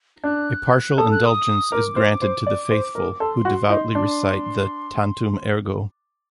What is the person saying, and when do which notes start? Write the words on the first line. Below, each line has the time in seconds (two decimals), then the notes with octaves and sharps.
A partial indulgence is granted to the faithful, who devoutly recite the "Tantum Ergo".
0.24 D4 F#6
0.98 A4 D#6
1.12 F#6
1.26 D#6
1.72 A#4 D6
1.96 C5
2.22 C5
2.47 D5
2.71 C5
2.95 A#4
3.20 A4 C6
3.45 F#4
3.70 D#4
3.95 D4